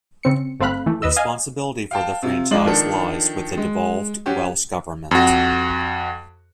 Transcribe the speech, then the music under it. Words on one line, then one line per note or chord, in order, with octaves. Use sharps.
Responsibility for the franchise lies with the devolved Welsh Government.
C#3 C4 C#7
G1 A3 C4 F5 B5 F#6
E3 A3
D#2 B4 D#5 E6
D#5 F5 G#5
F5 G5 A5
C3 F4
G#1 G#3 F4 D5 D#5 F#7
D#3 F3 D4 A4
G#3
F#3 C#4 F#4 G4
F2 F#4